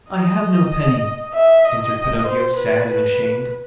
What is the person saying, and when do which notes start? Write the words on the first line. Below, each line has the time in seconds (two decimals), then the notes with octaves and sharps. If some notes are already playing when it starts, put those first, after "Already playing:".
"I have no penny," answered Pinocchio, sad and ashamed.
0.11 D#5
1.34 E5
1.64 D#5
2.26 C5
2.56 B4
2.86 B4